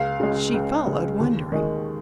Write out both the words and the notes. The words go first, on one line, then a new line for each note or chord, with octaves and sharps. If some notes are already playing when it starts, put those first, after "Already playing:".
She followed, wondering.
Already playing: C#2 F5
C#3 G#3
C#2
C#3 G#3
D#2
D#3 G#3